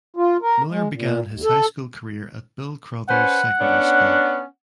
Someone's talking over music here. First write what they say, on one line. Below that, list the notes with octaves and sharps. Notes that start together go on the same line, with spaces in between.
Miller began his high school career at Bill Crothers Secondary School.
F4
A#4
G#3
A#2
D#2
A4
C#4 B4 C5 F#5
B3 C#4 D4